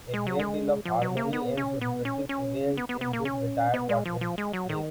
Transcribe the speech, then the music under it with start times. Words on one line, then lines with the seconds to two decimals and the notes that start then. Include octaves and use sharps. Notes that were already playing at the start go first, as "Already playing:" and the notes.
A great deal of harmony and sociability prevails in this retired watering place.
0.14 G#3
0.27 F#3
0.39 G#3
0.85 F3
1.02 F#3
1.17 A#3
1.33 B3
1.57 C#4
1.81 B3
2.05 C#4
2.29 C#4
2.77 B3
2.89 B3
3.01 B3
3.13 A#3
3.25 C#4
3.74 B3
3.89 G#3
4.05 F3
4.21 F3
4.38 G#3
4.53 F#3
4.69 D#3